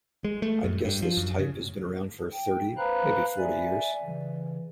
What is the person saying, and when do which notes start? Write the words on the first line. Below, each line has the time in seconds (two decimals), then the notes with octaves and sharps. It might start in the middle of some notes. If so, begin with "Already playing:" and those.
I'd guess this type has been around for thirty - maybe forty - years.
0.25 G#3
0.42 A3
0.64 F#2
0.85 G2
1.02 F3
1.17 F#2
1.39 C#3
2.33 G5
2.77 B4 C5 F5 A#5 B5 F#6
3.38 D5 E5 G#5
4.03 C#3 E3